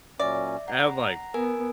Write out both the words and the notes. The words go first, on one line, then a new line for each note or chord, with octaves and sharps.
And, I'm like,
A#2 F#3 C#4 D5 E5
F#5 A#5
B3 A#4 G#5